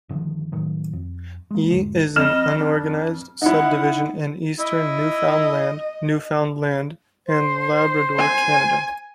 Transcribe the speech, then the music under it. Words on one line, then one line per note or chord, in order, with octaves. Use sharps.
E is an unorganized subdivision in eastern Newfoundland, Newfoundland and Labrador, Canada.
G1 D3 D#3 F3
A2 D#3 F#3
F2
G#3 A#3
E2 G#2 D3 G#3
F2 D#5 F6 E7
D4
D#4 E4 F#5
E4 D#5
C5
G#5